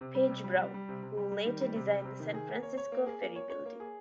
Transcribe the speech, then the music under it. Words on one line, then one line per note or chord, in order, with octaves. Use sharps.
Page Brown, who later designed the San Francisco Ferry Building.
C3
G3
C3
G3
G3
G3
C3
C3
G3
G3
D#3
G3
C3
G3
C3
D#3
G#4
A#3
C#5
C#5
A#3
G#4
A#3
C#5
C#5
A#3
G#4